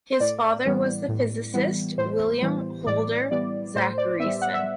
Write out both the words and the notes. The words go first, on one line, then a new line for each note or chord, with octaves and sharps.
His father was the physicist William Houlder Zachariasen.
C5
A2 D5
E3 G3 B3
A2
E3 G3 B3
A2 C5
E3 G3 B3
A2 D5
E3 G3 B3 D5
A2 C5
D5
G3 B3 E5
F#5
E5